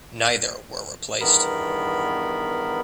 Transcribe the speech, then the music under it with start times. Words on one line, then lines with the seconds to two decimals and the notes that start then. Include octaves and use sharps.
Neither were replaced.
1.21 E2 G2 D#3 B3 A#4 B5